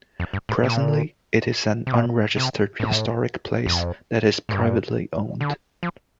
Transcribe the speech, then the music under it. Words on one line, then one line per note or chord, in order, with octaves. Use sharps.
Presently, it is an unregistered historic place that is privately owned.
F2
G2
A2
A#2
C3
A#2
C3
A2
F2
A2
G2
D3
F3